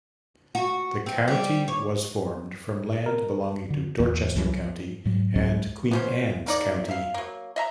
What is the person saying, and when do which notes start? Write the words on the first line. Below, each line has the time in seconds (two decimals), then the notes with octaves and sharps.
The county was formed from land belonging to Dorchester County and Queen Anne's County.
0.55 F#4
1.06 C4
1.28 G3
1.68 C#5
3.06 A#4
3.70 D3
4.00 E2 E3 A#3
4.35 C2 F#2 E3 F#3
4.57 F3
5.05 G#2 F#3
5.36 C#2 F#2 F#3 C#4
5.91 B3 C#4 C5
6.46 A#3 D#4 D5
6.89 E5 F5
7.14 F#3 A#3
7.56 D#5 E5 A#5